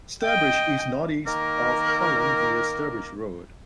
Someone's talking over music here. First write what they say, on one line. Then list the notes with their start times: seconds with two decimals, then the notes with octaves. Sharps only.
Sturbridge is northeast of Holland via Sturbridge Road.
0.23 D#5 G5
1.26 D#3 A#3 A#4